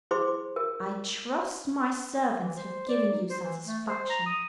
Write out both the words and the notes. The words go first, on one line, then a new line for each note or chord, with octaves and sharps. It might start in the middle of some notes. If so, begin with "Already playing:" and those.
I trust my servants have given you satisfaction.
E4 G#4 C5 C6 D6
A#4
E3
C5
D5
D#4
C5
E3
A3
C5
A#5
D#6